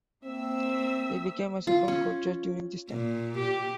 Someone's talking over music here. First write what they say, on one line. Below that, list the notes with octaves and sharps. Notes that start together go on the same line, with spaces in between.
He became a supreme court judge during this time.
A#3 C4 E5 E6
F4
C#4
A#2
G4